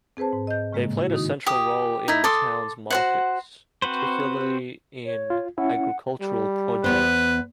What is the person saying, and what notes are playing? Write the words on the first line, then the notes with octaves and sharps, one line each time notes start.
They played a central role in the town's markets, particularly in agricultural produce.
C4 G#4 B4 C5 A5
G#2
D#5 G6
A2 C#3 G#3 A#3
E4 F#4
D#3 D#4 D#6
G4 D#6
D#4 E4
A4 C6 D6 D#6
F#4 C5 F#5
C4 F#4 B4 C5
C#5
F4
C#4 E4 F#5
G3
E2 B3 B4 C5